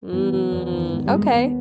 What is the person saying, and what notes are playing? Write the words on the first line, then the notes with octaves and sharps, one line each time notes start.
Mm. Okay.
E3 B3
C#3
E2
D#3
G#2
G3
D#3 G#3
A#3
D#2 B3